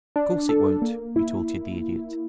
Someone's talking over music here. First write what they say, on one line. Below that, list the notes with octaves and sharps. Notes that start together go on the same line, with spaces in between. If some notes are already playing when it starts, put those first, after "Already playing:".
"Of course it won't," retorted the Idiot.
D4
A4
A#3
E4